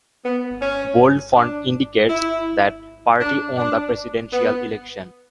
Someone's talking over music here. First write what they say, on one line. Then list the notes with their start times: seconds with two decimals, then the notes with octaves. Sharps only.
Bold font indicates that party won the presidential election.
0.24 B3
0.61 C#4
1.35 D4
2.09 E4
3.20 D4
3.57 D4
4.31 B3